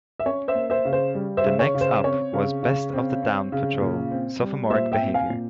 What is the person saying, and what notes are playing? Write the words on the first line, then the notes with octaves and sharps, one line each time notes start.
The next up was "Best of The Dawn Patrol - Sophomoric Behavior".
E5
C#4 C#5
C5 E5
A#3
C5 E5
C#3
C5
G3
C5 E5
C#3
C#5
C#3
C5
C4 C#5
C#3
C#3
C4
C4
C#3
A#2
C4
G3
A#2 C5 E5
E5 G5
C4
F5 G#5
A#2